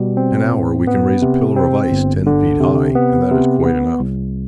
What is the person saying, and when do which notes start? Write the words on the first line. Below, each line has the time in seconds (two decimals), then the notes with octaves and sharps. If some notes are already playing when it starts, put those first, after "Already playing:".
In an hour we can raise a pillar of ice ten feet high, and that is quite enough.
Already playing: B2 G3
0.17 C4
0.52 A2
0.87 B3
1.22 C3
1.57 C4
1.91 G1
2.26 D3
2.60 C3
2.95 B3
3.31 C3
3.65 B3
4.00 C2